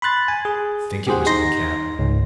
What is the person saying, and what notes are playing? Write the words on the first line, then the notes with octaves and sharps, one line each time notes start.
I think it was in the cap.
B5 C6 F#6 A6
G#5
G#4
G4 G#4 C5 F#5
D#4 C6 A#6
C#2 G#2